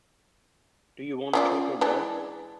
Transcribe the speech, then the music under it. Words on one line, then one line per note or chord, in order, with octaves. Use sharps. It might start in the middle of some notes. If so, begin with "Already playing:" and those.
Do you want total war?
C#4 F4 D5
E3 G#3 D4